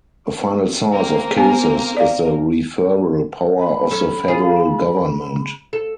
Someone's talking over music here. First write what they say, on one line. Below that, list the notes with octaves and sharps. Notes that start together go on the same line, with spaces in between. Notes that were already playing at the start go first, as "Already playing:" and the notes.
A final source of cases is the referral power of the federal government.
A#3 C4 A#4
B3 G#5
D5 F5
B5
F#2 C#4 A4
F4 G#4
A4